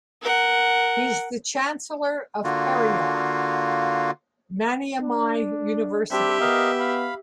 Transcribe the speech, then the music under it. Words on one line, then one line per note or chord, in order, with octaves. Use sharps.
He is the Chancellor of Periyar Maniammai University.
A#4 F#5
D3 A#3 F4 F#4
D4
G3 C4 D4 G4 E5
B3 A#4 D#5 F5
F5 B5